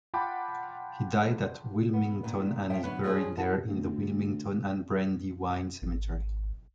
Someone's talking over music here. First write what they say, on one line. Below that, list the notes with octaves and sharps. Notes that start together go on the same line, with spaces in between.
He died at Wilmington and is buried there in the Wilmington and Brandywine Cemetery.
F4 F#5 G5 A5 B5 D6
B3
A#2 D#3
F3 A4 C#5 E5 G5
D3 F#3 B3
F2 F3 G3 C#4 G#4 G#5
E4 F#5 A5
D2
G#1